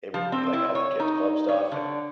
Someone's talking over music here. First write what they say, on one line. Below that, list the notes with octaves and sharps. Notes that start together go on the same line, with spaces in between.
it would be, like, all the kids club stuff and,
F3
C4
E4
C#5
D#4
C#5
D3